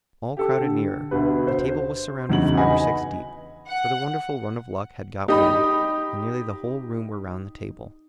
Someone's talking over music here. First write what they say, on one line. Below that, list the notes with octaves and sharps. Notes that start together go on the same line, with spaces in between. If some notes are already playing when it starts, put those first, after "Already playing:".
All crowded nearer; the table was surrounded five or six deep, for the wonderful run of luck had got wind, and nearly the whole room were round the table.
G4 A4
D3
D2 B2 B4
C5
G1 E2 C#3 D#4 F#4 F#7
B3 D#5 F#5 G#5 B5
F#5
D#4 G4 D#5 B5